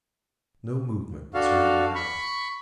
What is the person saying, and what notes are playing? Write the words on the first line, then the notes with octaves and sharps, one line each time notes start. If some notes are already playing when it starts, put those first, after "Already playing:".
No movement was heard in the house.
D4 F#4 A4 F5
B5 C#6